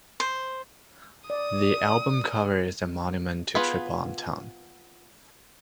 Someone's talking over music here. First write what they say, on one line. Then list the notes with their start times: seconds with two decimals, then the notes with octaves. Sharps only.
The album cover is a monument to triple entendre.
0.20 C5
1.30 D5 D#6
3.55 B3 F4 G#4 B4